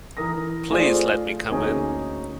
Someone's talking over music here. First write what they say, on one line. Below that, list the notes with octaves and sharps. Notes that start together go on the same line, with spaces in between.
Please let me come in.
E3 A#4 D#6 A#6
A3 F4 G#4 C5 D5
D2 A#3 C#4 D#4 G#4